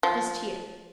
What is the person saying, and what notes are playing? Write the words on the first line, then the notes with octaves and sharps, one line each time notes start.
Just here.
F3